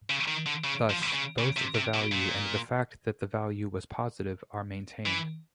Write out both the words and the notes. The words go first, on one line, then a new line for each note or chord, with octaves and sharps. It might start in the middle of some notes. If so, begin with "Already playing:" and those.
Thus, both the value and the fact that the value was positive are maintained.
C#3
D#3
D3
C#3
F3
C#3
C#3
C3
C3
B2
A#2
E3